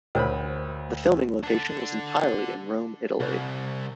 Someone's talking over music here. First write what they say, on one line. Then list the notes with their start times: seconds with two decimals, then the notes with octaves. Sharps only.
The filming location was entirely in Rome, Italy.
0.15 D2 A#4 C5 C#5 B5
1.43 D4 A4
3.20 C2